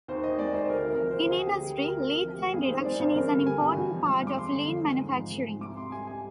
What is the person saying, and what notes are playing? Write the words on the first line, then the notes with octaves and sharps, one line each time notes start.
In industry, lead time reduction is an important part of lean manufacturing.
D#2 C5
D#3 D#5
G#3 D5
D#2 C5
D2 A#4
C3
A#4
F3
C5
D2
D2 G#4
D3 G4
G3 G#4
D2 A#4
D2 A#4
C3
F3
G#3 G4
G2 G#4
D#3 C5
G#3 D5
G2 C5
G2 A#4
D3
G3 G#5
G2
G2
F3
G#3
G2 D6
F2 C6
D3
F3
G#3
G#2
F3
G#3
G#2
C2 D6
C3 C6
G3 G#5
G#5